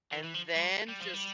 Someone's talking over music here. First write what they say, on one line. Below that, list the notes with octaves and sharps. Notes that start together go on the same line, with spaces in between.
And then just
E3
E3
F3
G3
G3
F3
G3